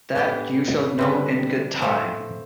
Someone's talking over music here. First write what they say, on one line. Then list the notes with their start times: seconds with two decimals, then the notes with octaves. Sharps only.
That you shall know in good time.
0.15 A2 E3 B3 D4 G4 B4
0.99 D3 G3 C4 B4
1.79 A2 F3 A3 E4 C5